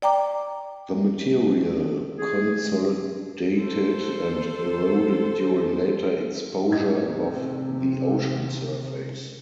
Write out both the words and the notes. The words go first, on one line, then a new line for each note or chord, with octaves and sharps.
The material consolidated and eroded during later exposure above the ocean surface.
D5 G5 A#5 D6
G#4
A4 C5
A2 C3 D#4 G#6